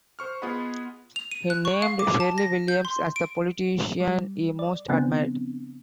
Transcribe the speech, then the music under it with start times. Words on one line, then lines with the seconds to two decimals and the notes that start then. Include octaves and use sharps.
He named Shirley Williams as the politician he most admired.
0.19 C5 C#6 F6
0.42 B3 F4 G#4 D#5 F#5 B5
1.16 F7
1.31 D#7
1.50 F#6
1.65 C#6
1.82 F5
1.99 D6
2.20 A5
2.38 A#6
2.68 G6
2.85 C6
3.16 D7
4.00 G3
4.59 D5
4.88 C#3 F3 B3 C4 D4